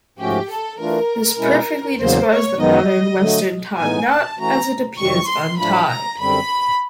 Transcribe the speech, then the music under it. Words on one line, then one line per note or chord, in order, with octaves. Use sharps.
This perfectly describes the modern western top knot as it appears untied.
G#2 F3 A3 C#4 F#4 G4
A4
E3 A3 D4 F4 A#4
B2 G#3 C#4 E4
E2 C#3 F#3 A#3 C5
C#5
F#2 D#3 G#3 B3 D#4 D#5
D3 F#3 A3
A2 E3 G#3 B3 D#4 G#5
A5
E3 A3 C#4 F#4 A#5
F2 C3 D#3 G3 C4 C#6
C6
A2 F3 A3 D4 F4 B5
A#5
F#2 D3 G3 C4 B5